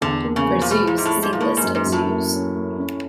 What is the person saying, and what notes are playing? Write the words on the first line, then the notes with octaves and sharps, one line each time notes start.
For zoos, see List of zoos.
E2 D3
A#3
C#3
F3
A#2
B2 G#4
A#2
G#2 E4
A2
G#3
G#2
A#2
A2 A#3
G#2
F#2
G#2
F#2
A2
A#3
C#4
A#3
C#4